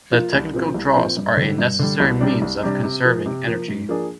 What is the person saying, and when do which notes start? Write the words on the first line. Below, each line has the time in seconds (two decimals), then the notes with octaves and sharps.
The technical draws are a necessary means of conserving energy.
0.11 F3 A#3 F4
0.33 C2
0.53 A#2 F3 C4 F4
0.74 C2
0.95 A#2 F3 C4 F4
1.17 G2
1.37 D3 G3
1.58 G2
1.79 D3 G3
2.00 C2
2.20 C3 G3 D4
2.42 C2
2.63 C3 G3 D4
2.83 C3
3.05 F3 A#3
3.26 C3
3.47 F3 A#3
3.68 G#2
3.89 F3 A#3 D4 G#4